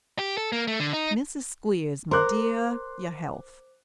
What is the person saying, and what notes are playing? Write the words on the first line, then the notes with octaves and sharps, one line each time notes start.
Mrs Squeers, my dear, your health!'
G4
A4
A#3
A3
D3
D#4
A#4 C5 C6 D6 F#6